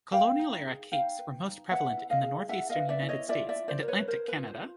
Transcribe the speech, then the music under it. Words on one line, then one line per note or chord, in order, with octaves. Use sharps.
Colonial-era Capes were most prevalent in the Northeastern United States and Atlantic Canada.
B4 F5 G5
D#4
G#4
D#4 F5 G5
B4
D#4
B4 E5 F#5
E4
D#5 F5
G#4
E4 E5 F#5
D#5 F5
B4
D5 E5
E4
C#5 D#5
F4 D5 E5
D5 E5
F4
C5 D5
A#4
B4 C#5
A#4 C5
B4
F4
C5
F4